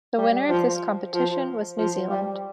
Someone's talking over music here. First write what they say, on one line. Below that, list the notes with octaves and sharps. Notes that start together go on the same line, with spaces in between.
The winner of this competition was New Zealand.
G3
F3
F3
F3
G3